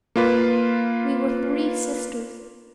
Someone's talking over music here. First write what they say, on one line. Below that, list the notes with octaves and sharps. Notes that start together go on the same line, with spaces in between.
We were three sisters.
A#3 F4 B4